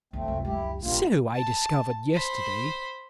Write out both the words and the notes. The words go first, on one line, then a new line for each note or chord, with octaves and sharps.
So I discovered yesterday.
G1 D2 A3 C4
F1 C#2 F#2
F#3 G#3 E4 G4
D3
A#1 G3 A#3 D4 F4
A5
C5 B5